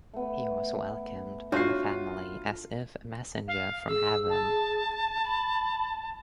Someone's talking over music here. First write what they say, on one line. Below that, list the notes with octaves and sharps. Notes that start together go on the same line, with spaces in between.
He was welcomed by the family as if a messenger from heaven.
A3 B3
D4 F4 F#4 C#5 C7
F5
G#4 E6
A5
B5